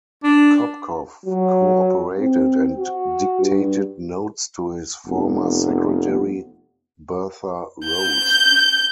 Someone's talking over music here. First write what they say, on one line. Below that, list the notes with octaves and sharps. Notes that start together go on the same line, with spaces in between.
Kopkow cooperated and dictated notes to his former secretary Bertha Rose.
D4
F#3
C4
F#4
G2
F1 B3
G6